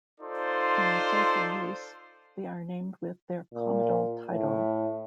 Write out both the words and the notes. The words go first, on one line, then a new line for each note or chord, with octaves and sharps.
In social use they are named with their comital title.
D#4 F4 A4 C5 D5 C6
A#2
A2